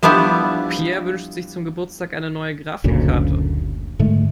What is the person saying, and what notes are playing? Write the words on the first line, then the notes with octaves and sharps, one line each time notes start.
Peer wünscht sich zum Geburtstag eine neue Grafikkarte.
F3 G3 B3 D4 E4
F#1 D2 A#2 C#3
G#2 D3 G#3 A3